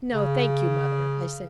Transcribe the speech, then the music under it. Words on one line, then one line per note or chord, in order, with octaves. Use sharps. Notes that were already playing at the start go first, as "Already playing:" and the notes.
"No, thank you, mother," I said.
C#3